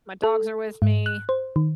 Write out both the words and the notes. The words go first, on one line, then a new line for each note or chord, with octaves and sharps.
my dogs are with me
A4
G#2
F#6
C5
D#3